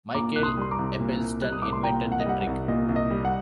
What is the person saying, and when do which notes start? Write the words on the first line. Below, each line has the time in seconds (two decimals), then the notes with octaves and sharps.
Michael Eppelstun invented the trick.
0.14 A#2 A#5 D6
0.36 C2 F#6
0.43 C6 D#6
0.57 G3 C6
0.71 A#5 D6
0.79 C2
1.00 A#2
1.20 C2
1.41 G3 F#6
1.52 D#6
1.62 C2 D6
1.73 C6
1.83 A#2 G5 A#5
2.05 C2
2.12 F#5
2.20 D#5
2.26 G3 F#5
2.41 F#5
2.47 C2
2.68 A#2 D#5
2.89 C2
2.96 D#5
3.11 G3
3.25 F#5